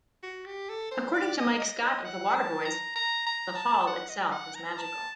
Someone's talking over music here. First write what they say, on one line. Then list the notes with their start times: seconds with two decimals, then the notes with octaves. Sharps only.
According to Mike Scott of the Waterboys: The Hall itself is magical.
0.23 F#4
0.46 G4
0.69 A4
0.91 C5
1.14 D5
1.37 D#5
1.59 D#5
1.82 D#5
2.04 F#5
2.35 A5
2.65 A#5
2.95 A#5
3.26 A#5
3.56 A5
3.87 F#5
4.09 D#5
4.32 F#5
4.55 A#5
4.78 A5